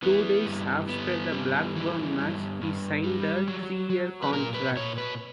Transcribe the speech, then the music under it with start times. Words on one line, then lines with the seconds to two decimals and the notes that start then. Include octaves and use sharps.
Two days after the Blackburn match, he signed a three-year contract.
0.03 E3 B3
0.46 G2
0.88 G2 B3
1.32 G3
1.76 E3
2.18 G2
2.61 G2
3.04 G3
3.48 F#3
3.90 F#3
4.22 B4
4.33 A#2 A#4
4.54 B4
4.76 A#2 C#5
4.98 B4